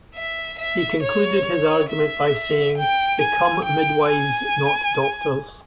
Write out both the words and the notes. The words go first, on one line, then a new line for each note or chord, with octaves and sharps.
He concluded his argument by saying Become Midwives, not doctors!
E5
E5
C#5
E5
G5
G#5
G5
G#5